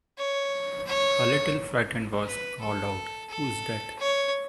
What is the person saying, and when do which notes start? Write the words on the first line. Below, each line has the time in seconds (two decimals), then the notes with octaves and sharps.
A little frightened voice called out "Who's that?"
0.18 C#5
0.87 C#5
2.25 B4
2.61 A4
3.29 A4
3.99 C#5